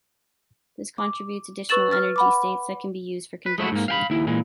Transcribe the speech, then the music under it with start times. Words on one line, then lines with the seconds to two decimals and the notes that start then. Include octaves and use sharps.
This contributes additional energy states that can be used for conduction.
0.98 D6
1.69 B4 C#6 E6 A6 E7 F#7
1.91 F6 A6
2.16 F#5 B5 D6
3.46 B4
3.58 G#3 A3 E4 F#4
3.72 G#2 A#3
3.88 F5 G5 B5
4.10 D#2 E4
4.27 A#2 E3 G#3